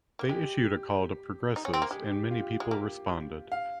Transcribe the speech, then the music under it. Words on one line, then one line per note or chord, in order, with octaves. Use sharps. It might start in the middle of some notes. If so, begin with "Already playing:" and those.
They issued a call to progressives, and many people responded.
A#3
G#3 G4
D#4
C#4
C4
A#3
G#3 G4
G4
F4
G4
F4
G#3
A#3 G4
F5